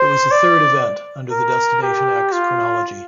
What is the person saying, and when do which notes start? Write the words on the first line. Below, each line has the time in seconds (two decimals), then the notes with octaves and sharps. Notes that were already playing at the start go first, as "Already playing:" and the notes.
It was the third event under the Destination X chronology.
Already playing: C5
0.31 D5
1.32 A#4
1.83 G4
2.32 F4